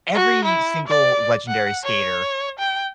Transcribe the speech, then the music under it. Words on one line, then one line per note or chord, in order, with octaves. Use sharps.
every single legendary skater
F#4
E4
D5
F#5
C#5
G5